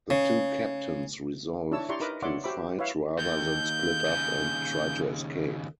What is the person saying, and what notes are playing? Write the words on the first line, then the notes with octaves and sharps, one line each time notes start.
The two captains resolved to fight rather than split up and try to escape.
C#3
D4 E4 C#5 D5 A5 E6
E4 G4 D5 A#5 C6 C#6
D#4 A#4 B4 D#5 B5 D6
C#5 D5 E5 F#5 C6 D6
F#4 G4 C5 E5 B5 D6
E4 B4 C#5 E5 F5
D#2 G6
D#2 C#3